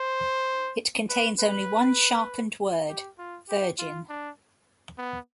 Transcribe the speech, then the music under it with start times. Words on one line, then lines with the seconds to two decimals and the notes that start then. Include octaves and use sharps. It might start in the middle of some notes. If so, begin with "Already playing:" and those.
It contains only one sharpened word - Virgin.
Already playing: C5
1.09 B4
1.39 B4
2.89 G4
3.19 F4
3.49 G4
3.79 F4
4.09 D4
4.98 B3